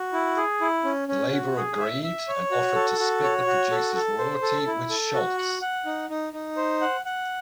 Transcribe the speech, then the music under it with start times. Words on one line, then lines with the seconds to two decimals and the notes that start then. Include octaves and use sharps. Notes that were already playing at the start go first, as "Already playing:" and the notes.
The label agreed, and offered to split the producer's royalty with Scholz.
Already playing: F#4
0.13 E4
0.37 G#4
0.61 E4
0.84 C#4
1.08 C#4
1.32 F#4
1.56 G#4
1.80 E5
2.04 E5
2.28 C#5
2.51 F#4
2.75 A4
2.99 F#4
3.23 C#5
3.46 F#4
3.71 A4
3.95 A4
4.18 C5
4.42 A4
4.67 E4
4.90 A4
5.14 F#4
5.38 F#5
5.62 F#5
5.86 D#4
6.09 D#4
6.33 D#4
6.57 C5
6.81 F#5
7.05 F#5